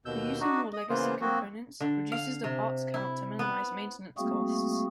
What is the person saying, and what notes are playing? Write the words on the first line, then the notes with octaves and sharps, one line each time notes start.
The use of more legacy components reduces the parts count to minimise maintenance costs.
D#2 B2 E6 G6
D4 D#4 F#4
D#5
C#3 E3 A#3 B3 F4 C5
F3 F#3 A#3 C4 F#4
D3
F5
C3
E4
B3
G3 A3 A#3 C4 F#4 G#4